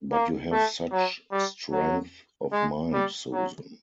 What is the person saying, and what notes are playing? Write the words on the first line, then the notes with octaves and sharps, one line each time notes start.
But you have such strength of mind, Susan.
A#3
A3
F#3
G3
F#3
G#3
G3
F#3